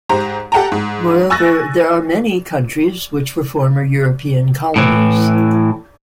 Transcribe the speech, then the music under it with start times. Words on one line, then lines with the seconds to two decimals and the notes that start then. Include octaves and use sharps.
Moreover, there are many countries which were former European colonies.
0.09 G#2 G4 C5 A#5
0.52 G4 A4 F#5 G5 A5 A#5
0.72 G#2
1.30 G#5 C#6 E6 F#6 A6 A#6
4.76 A2 E3